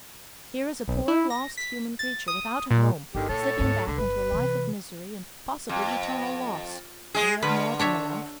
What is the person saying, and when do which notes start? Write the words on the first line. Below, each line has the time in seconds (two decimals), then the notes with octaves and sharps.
Here is a poor, lost human creature without a home, slipping back into a life of misery and possibly eternal loss, and we have more than enough.
0.88 B1
1.08 E4
1.30 A#6
1.57 B6
1.99 A6
2.28 D#6
2.71 A#2
3.15 G1 D3 D#3 G4
3.29 A#2 A4 C#5 A5
3.59 D2 G#2
3.87 C2 D3
3.98 G1 B4
4.32 C3 E3
5.69 F2
7.14 G#3 G#4
7.42 D3 B4
7.79 D4 C#5 E5